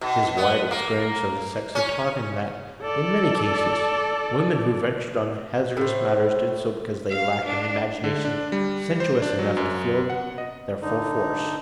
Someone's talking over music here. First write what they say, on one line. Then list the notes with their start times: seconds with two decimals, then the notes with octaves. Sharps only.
His wide experience of the sex had taught him that, in many cases, women who ventured on hazardous matters did so because they lacked an imagination sensuous enough to feel their full force.
0.01 B2
0.37 B3
0.71 A#3
1.75 C#4
2.83 A4 D5
5.77 A2 C5
7.08 F5
7.46 D4
8.04 D3
8.25 D4
8.52 G3
9.00 C5
9.22 D4
9.39 F#3
9.57 F#2
10.10 F#5
10.38 D#5
10.82 D3 D#4